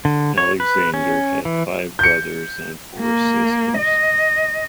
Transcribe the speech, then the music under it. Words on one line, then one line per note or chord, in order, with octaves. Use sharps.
Alexander had five brothers and four sisters.
D3
C#5
B4
C#4
E3
G6 C#7
A#3
D#5